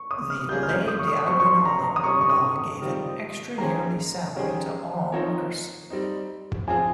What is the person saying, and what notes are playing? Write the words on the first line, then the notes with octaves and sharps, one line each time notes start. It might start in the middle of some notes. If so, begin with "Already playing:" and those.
The "Ley de Aguinaldo" law gave an extra yearly salary to all workers.
Already playing: C#6
D#6
F6
G3 A#3 C#4 F4 G#4 G6
F6
G6
D#6
C#6
D#6
G3 C4 G4 C5 C#6
C#6
C6
A#5
A#5
D#6
C3 G3 C#4 C#6
C#6
D#6
D#3 G3 C4 F4
D#3 A#3 C#4 G#4 C5 A#5
D#3 G3 C#4 G#4 C5
F3 C4 D#4 A#4 C#5
G3 C4 D#4
F3 C4 F4 G#4 G#5